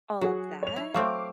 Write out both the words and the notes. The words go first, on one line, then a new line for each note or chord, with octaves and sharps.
all of that,
F#3 F#4 G#4
C#5 F7
E4
F#3 A3 C4 F5 D6 E6